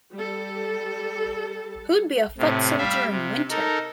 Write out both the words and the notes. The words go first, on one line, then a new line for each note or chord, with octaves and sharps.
Who'd be a foot soldier in winter?
G3 A4
A2 C3
G3 E5 F5
C3
D#4 A4 A#4